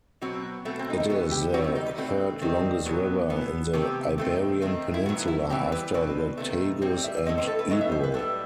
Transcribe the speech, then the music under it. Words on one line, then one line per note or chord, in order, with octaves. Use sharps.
It is the third-longest river in the Iberian Peninsula after the Tagus and Ebro.
B2 F#3 C4 F#4
B2 A3 C4
C4
D#4
E4
E3 B3 F#4
G4
D#3 G3 C4 F#4
E4
D#4
B4
B2 A3 C4
D#3 G3 C4
B2 F#3 B3
E3 B3
C3 D#3 A3 C4 G4
D#3 A3 C4
D#3 A3 C4
E4
A2 F#3 B3 F#4
E4
E3 G3 C4 G4
B4
B2 G3 C4 B4
C3 D#3 A3
A2 G3 C4
E5
A2 F#3 A3 C4 D#5
C5
B4
A4
B4
A2 F#3 B3 D#5
E5
C5
B4
A2 G3 B3 A4